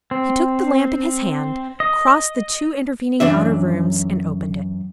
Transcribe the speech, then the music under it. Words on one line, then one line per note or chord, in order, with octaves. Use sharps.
He took the lamp in his hand, crossed the two intervening outer rooms, and opened it.
C4
D#5
F#2 E3 D4 E5